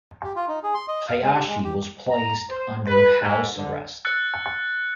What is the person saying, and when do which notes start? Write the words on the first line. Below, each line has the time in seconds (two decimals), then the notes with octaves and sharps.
Hayashi was placed under house arrest.
0.24 G4
0.36 F4
0.48 D#4
0.63 G#4
0.74 C6
0.88 D#5
1.08 F5
1.22 G#3
1.33 G4
1.47 G#3
1.64 G4
2.11 A#5
2.50 C5
2.88 B4
3.22 G#2
3.56 D3
4.05 E6 F#6 A6 C#7